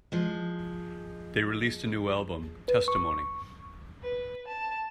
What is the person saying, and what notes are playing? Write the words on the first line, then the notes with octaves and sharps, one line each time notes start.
They released a new album, "Testimony".
F3 G#3
B4
C#6
B4
A5